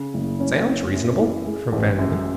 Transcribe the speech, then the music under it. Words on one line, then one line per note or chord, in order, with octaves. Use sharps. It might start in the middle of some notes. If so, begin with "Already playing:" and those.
"Sounds reasonable," from Van Emmon.
Already playing: C#3
F#1
C#4
C#4
F#2
E3
G#3
A1
F#2